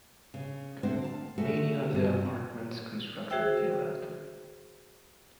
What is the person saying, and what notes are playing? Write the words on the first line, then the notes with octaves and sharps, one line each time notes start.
Many other apartments constructed thereafter.
C#3
D3 A3 C4 D4 F#4 C5
F5 A5
A3 F#4 G#4 A4
G2 C3
F#4 G#4 C5 E5 G5 E6